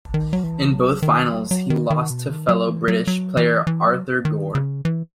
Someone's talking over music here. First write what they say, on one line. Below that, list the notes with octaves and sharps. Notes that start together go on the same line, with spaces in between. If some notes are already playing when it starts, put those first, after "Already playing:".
In both finals he lost to fellow British player Arthur Gore.
D#3
F#3
E3
F#3
D#3
F#3
F#3
D#3
D#3
B2
D#3
F#3
E3
F#3
F#3
E3
E3
F#3
D#3
C#3
E3